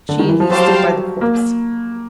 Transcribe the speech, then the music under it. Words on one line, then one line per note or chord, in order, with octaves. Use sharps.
She and he stood by the corpse.
D3
D#3
E3
F3
F#3 G4 C5 F5 A5
G3
A#3